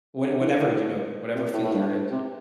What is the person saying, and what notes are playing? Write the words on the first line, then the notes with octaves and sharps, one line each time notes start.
what whatever, you know whatever field you're in.
C3
D3
E3
D3
A2
C3
A2
A2
G2
C3